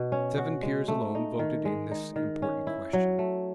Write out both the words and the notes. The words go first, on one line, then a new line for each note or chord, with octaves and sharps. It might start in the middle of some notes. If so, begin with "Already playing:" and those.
Seven peers alone voted in this important question.
Already playing: B2
C#4
F#4
G#3
A3
D#4
D#3
G#3
D#4
D#3
C#4
E4
F#3
A3